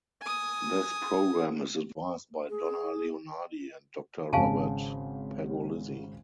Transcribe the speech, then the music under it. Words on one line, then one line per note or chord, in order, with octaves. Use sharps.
This program is advised by Donna Leonardi and Doctor Robert Pergolizzi.
G#5 D#6
G#4
G#1 C#3 F5 G#5 A5